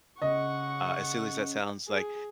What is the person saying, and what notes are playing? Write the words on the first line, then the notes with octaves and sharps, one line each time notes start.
Uh, as silly as that sounds like,
C#3 D#5 F#5 C#6
G#4